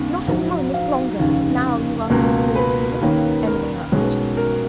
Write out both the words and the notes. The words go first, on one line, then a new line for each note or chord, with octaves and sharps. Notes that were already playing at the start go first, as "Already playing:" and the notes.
"Not a moment longer, now you are composed again," Emily answered.
Already playing: D#2 C#3 G#3 B3
A#1 G#2 F#3
F5
F1 D#2 C#3
C#2 B2 A#3
B4
D#2 D#3 A#3 C#4
A#4
B1 B2 G#3 C#4
A#4